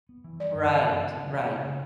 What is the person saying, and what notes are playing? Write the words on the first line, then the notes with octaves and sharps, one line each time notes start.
Right, right.
B3
E3
G3 D5
G2
B3
E3
B3
C#3
C#3